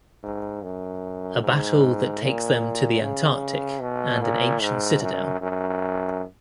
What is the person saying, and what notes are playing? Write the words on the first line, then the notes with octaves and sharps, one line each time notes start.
A battle that takes them to the Antarctic and an ancient citadel.
G#2
F#2
G#2
A#2
C#3
B2
A#2
G#2
F#2
F#2